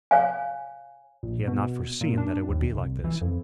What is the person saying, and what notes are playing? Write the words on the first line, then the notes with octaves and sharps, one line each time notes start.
He had not foreseen that it would be like this.
C#5 F5 G#5
A#1
B2
A#2
D4
D#2
C2
E3
F2